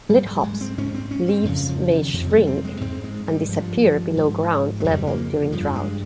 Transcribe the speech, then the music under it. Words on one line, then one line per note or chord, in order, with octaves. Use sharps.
"Lithops" leaves may shrink and disappear below ground level during drought.
G#2 G3
G3
G#3
C4
G#2 C#4
C4
C#4
C4
F2 C#3 F3
F3
D#3
F2 C3 F3
G3
C4
G#3
G#2 C4
G#3
G3
G2 F3
G#2
G#3
F2 C#3 G3
A#3
G2 F3
G#3